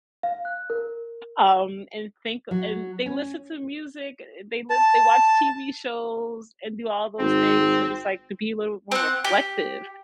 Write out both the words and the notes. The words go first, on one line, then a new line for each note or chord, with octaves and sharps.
um, and think a and they listen to music, eh, they live they watch TV shows and do all those things, and it's, like, to be a little more reflective
F5
F#6
A#4
F#3
C#4
A5
G#1 C4
C4 F#5
G4